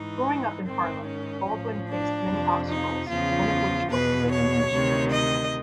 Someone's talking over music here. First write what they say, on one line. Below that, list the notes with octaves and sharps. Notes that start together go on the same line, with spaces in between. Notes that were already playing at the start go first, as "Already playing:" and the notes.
Growing up in Harlem, Baldwin faced many obstacles, one of which was his education.
Already playing: G#2 E3 D#4
G#2 D#3 C4
C#4
A2 F3
D4
F2 C3 F3
D#4
E2 C#3 F3 F4
E2 B2 B4
C#5
D2 C3 D#3
D#5